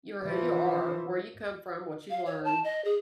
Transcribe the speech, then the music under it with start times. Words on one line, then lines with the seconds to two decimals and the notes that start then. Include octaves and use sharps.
You are who you are, where you come from, what you've learned.
0.24 E3 F3
2.10 F5
2.26 C#5
2.45 A5
2.64 D#5
2.85 G#4